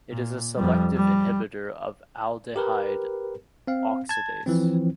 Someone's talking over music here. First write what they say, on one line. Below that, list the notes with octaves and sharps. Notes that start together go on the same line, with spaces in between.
It is a selective inhibitor of aldehyde oxidase.
A#2
F2 G3
G3
G4 A#4 B4
C4 F5
A5 G#6
E3 F3 C4